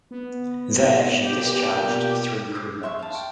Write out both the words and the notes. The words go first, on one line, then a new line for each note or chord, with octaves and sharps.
There she discharged three crew members.
B3
A#2 G4
B2
C5 D6
E5 C6 C#6
F5 A5
G5